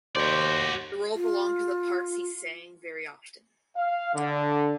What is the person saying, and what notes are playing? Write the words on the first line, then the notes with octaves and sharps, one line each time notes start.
The role belonged to the parts he sang very often.
D#2 F#4 C5 D5
F4
F5
D3